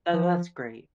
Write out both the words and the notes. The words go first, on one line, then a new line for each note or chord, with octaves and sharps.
Tha that's great.
F3